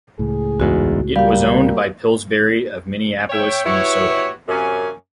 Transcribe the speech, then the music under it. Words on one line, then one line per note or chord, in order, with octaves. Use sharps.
It was owned by Pillsbury of Minneapolis, Minnesota.
C#2 A2 G#4
A1 E2 G#2 F#4
G3 A#3 G4 F5
C#5 E5 G5
B3 E4 F#4 G4 C#5
F#2 C3 A#3 C#4 G#5